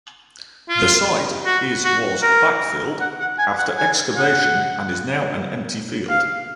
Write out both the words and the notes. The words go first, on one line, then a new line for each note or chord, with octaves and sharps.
The site is was backfilled after excavation and is now an empty field.
F4
F#4
F#4
A#4
F#5
F#5
G#5
F#5
G#5
F#5
F5